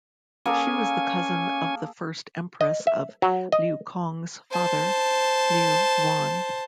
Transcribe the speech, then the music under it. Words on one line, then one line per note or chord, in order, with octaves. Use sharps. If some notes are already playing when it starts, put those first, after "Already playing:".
She was the cousin of the first empress of Liu Cong's father Liu Yuan.
A#3 C#4 G#4 A4 G#5
D#5
E5
F#3
D#5
C5 A5